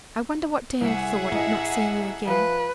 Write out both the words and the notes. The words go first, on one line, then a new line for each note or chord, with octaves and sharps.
I wonder what Dan thought at not seeing you again?
C2 G#4 E5 F#5
A1 E3 D#5
F3 B4